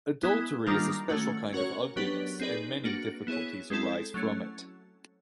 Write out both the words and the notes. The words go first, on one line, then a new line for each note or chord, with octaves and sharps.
Adultery is a special kind of ugliness and many difficulties arise from it.
G#3 B3 E4
D#3 G3 A#3 D4 F4
A3 C#4 F#4
C#4 F#4 A#4 C#5
F#3 B3 D4 G4 B4
C4 D#4 G#4 B4 D5
A#3 D4 F#4
B3 E4 G#4 C#5
G#3 C4 E4 A4
F#3 A3 C#4